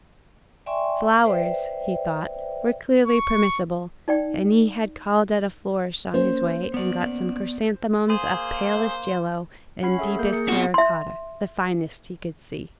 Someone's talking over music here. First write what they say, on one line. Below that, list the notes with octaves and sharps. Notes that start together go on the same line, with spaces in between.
Flowers, he thought, were clearly permissible, and he had called at a florist's on his way and got some chrysanthemums of palest yellow and deepest terra-cotta, the finest he could see.
D5 E5 G5 G#5 C6 C#6
B4 C5 D5 E5 G5
C#6
D#4 D5 G5
A#3 C#4 C5
B3 D5
A#3 G#4 C5
C#4 F#5 B5 C7
G#4 A4 E5
A#3 G6
G#4 C#7
B2 C4 F4 F#4
E5 C6